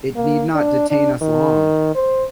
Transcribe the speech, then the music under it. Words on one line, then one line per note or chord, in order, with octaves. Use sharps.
It need not detain us long.
A#3
D4
D4
D#3
C5